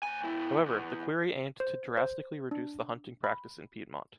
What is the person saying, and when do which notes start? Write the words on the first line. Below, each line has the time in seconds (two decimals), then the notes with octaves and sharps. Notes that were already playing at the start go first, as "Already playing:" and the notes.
However, the query aimed to drastically reduce the hunting practice in Piedmont.
0.03 D#2 G#5
0.24 B2 E4
0.66 E2
1.60 C5
1.97 C5
2.51 D4
3.24 B5